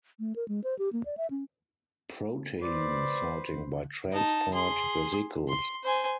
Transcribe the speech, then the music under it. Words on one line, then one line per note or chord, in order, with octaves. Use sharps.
Protein sorting by transport vesicles.
A3
A#4
G#3
C5
G4
A#3
D5
E5
C#4
B4 C5 D5
D#4 A5
G#4 C6
C6
C5 G#5